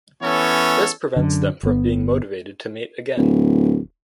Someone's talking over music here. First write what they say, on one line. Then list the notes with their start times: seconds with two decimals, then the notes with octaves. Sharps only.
This prevents them from being motivated to mate again.
0.22 E3 B3 C#4 A4 C#5
1.16 F#2 D3
1.63 G1 B3
3.17 D1